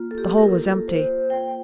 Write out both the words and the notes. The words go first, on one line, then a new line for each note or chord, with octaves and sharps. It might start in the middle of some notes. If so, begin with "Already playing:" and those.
The hole was empty.
Already playing: A#3 F4
A4
G4
A#4
A4
C5
G5